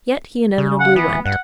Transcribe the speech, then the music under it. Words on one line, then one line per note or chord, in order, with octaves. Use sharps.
Yet he inevitably went.
C#3
F#5
E3 B3
G2 F#5